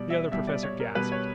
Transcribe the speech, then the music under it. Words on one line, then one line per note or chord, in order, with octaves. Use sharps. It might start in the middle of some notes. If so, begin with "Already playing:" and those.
The Other Professor gasped.
Already playing: B2 G3 D5
E5
B2 G3 E5
D5
C#5
A#4
B2 G3 B4
C#5